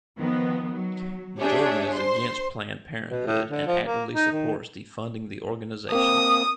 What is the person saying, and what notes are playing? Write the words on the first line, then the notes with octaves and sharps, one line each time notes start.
Jordan is against Planned Parenthood and actively supports defunding the organization.
D#3 F3 B3
F#3
D4 G4 G#4 C#5 E5
C5 C6
B2
A2
D3
F3
A#3
D#4
D#3
A#3 C4 D#6